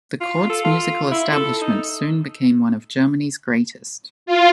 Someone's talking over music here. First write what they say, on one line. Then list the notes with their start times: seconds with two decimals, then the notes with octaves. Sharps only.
The court's musical establishment soon became one of Germany's greatest.
0.20 F4
0.49 A4
0.65 F4
1.12 E4
1.32 A4
1.61 D#4
4.26 F4